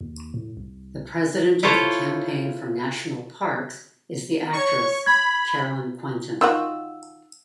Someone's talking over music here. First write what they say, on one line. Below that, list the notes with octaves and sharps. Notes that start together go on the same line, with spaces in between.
The President of the Campaign for National Parks is the actress, Caroline Quentin.
D#2
A2
C2
E4 F4 A4 C5 C#5
C#5 C#6
B5 G#6
D#3 F4 F#4 E6